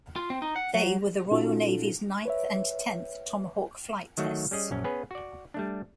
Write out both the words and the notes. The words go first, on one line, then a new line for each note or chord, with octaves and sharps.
They were the Royal Navy's ninth and tenth Tomahawk flight tests.
F4
C4
D#4
F#5
F#3
A#2 C#4 D#4 F4 F#4 A4
B4 C#5 E5
D#3 F#3 A3 F#4
G3 C#4 G#4 D#5
A#1 F#2 C#4
B3 C#4 G#4 B4
F#4 D5
G3 A3 D4